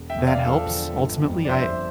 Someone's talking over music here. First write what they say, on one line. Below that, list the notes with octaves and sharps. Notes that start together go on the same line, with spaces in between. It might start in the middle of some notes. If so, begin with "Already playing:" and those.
that helps ultimately. I
Already playing: E1
E5 G5
E2
D5 F5
F3 A4
D3
G1
F2
D5
G1 C5 E5